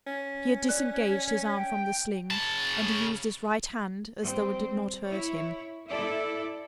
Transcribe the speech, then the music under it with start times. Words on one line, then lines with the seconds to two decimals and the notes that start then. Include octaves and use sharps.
He had disengaged his arm from the sling, and he used his right hand as though it did not hurt him.
0.07 C#4
0.69 D5 F#6
1.56 G5
2.31 C#3 A5
4.20 G3 C4
5.06 E4 C#5
5.88 E4 A4 D5 E5